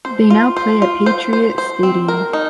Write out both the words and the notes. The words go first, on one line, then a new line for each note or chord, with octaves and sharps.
They now play at Patriot Stadium.
C5
F4
C5
F4
C5
C5
C5
C4
A#4
D#4